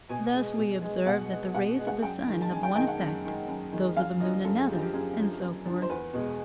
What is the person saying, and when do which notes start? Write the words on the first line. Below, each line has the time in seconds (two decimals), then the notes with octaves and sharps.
Thus we observe that the rays of the sun have one effect, those of the moon another, and so forth.
0.09 B2 G#5
0.34 G#3
0.58 B2
0.82 G#3
1.06 B2 F#5
1.30 G#3
1.54 B2 F#5
1.79 G#3
1.87 F#5
2.02 F#2 G5
2.27 D#3 G#3
2.42 A5
2.52 F#2 G#5
2.63 G5
2.75 D#3 G#3 G5
2.87 F#5
3.00 F#2
3.24 D#3 G#3
3.48 F#2
3.72 D#3 G#3
3.96 F#2 F5
4.20 D3 F3 D#5
4.44 F#2 A4
4.56 G#4
4.69 D3 G4
4.73 F3
4.81 G4
4.93 F#2 G#4
5.17 D3 F3
5.42 F#2
5.66 D3 F3
5.82 C5
5.90 E2 B4
6.14 B2 G#3